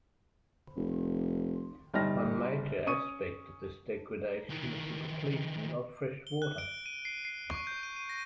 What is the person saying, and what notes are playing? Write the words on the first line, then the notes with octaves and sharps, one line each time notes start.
One major aspect of this degradation is the depletion of fresh water.
F1
G1 G3 D#4 F6 A#6
C#4 C#6 D#6 D#7
D#3 E3
G7
F#6
D7
D#7
C7
C7
C#6
G6
D#7
D#7
A#6